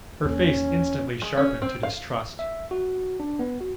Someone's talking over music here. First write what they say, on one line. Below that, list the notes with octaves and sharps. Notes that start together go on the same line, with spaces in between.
Her face instantly sharpened to distrust.
E2 A#3 C#4 D4
G#3
C#4
C4
F5
E5
F#4
D4
B3
F#4